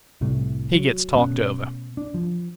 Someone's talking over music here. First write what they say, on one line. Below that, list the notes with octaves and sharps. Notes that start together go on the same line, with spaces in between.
He gets talked over.
C2 A2 C3 A3
F#3
B2 A3 B3 C#4
D4
F3